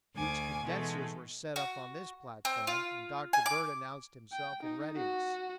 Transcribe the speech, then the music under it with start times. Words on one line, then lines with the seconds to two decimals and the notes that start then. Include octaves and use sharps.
Huge condensers were set up on this platform, and Dr. Bird announced himself in readiness.
0.15 D2 G#5 D6
0.64 B2 E3 G#3 A3 D#4
1.56 F#4
2.45 C4
2.67 F4
3.33 G#5
3.46 D6
4.32 G5
4.63 D#4
4.96 F#4